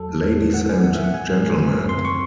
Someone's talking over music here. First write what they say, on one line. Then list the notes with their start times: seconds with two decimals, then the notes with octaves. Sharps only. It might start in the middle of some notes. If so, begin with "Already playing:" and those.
Ladies and Gentlemen.
Already playing: E2 F#3 A4
0.09 A3
0.23 E2
0.38 D#3
0.54 C4 F#5
0.68 G#3 G#5
0.84 A2 F#5
0.94 E5
0.99 E3
1.04 F#5
1.14 A2 G#5
1.29 C4
1.44 A2
1.59 F#3
1.75 F#2
1.89 C4 C6
2.05 C#6